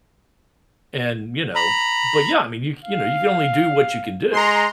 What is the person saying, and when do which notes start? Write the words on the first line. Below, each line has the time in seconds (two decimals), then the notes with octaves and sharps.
and, you know but, yeah, I mean, you c you know, you can only do what you can do.
1.55 A#5 B5
2.85 F5
4.33 G#3 A#5 C6